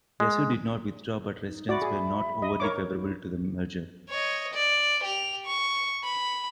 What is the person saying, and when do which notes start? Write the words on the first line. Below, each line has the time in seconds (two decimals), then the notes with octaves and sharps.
Yasu did not withdraw but residents were not overly favorable to the merger.
0.20 G#3
1.45 D#4
1.69 F#4 D5 E5 B5
1.82 G#4
2.42 D#5
2.60 A#4 C#5 D6
2.89 D#4 E4 F#4
4.10 C#5 D#5
4.54 D5
5.04 G4 F7
5.45 C#6
6.04 B5